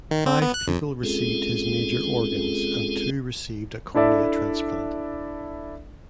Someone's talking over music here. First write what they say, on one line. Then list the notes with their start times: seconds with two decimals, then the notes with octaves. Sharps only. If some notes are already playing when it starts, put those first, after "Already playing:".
Five people received his major organs, and two received a cornea transplant.
0.11 D#3
0.26 C4
0.42 B3
0.54 F#6
0.68 F2
1.03 G#3 C4 C#4 F4 G#4 A4
3.94 D4 E4 A4 D5 E5